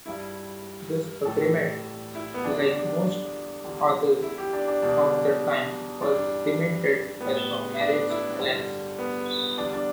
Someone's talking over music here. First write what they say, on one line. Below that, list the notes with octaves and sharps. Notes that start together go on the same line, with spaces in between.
This agreement, like most others of the time, was cemented with a marriage alliance.
G2 G3 E4
A2 E3 G3 A4
E4
B3
E2 D3 G3 D4
D4
E2 D3 G3
E4
G4
D4
D4
E2 B2 G3 D4
G2 E3 G3 D4
A2 G3 B3
D4
E4
G2 D3 G3
B3
E2 D3 G3 D4
D4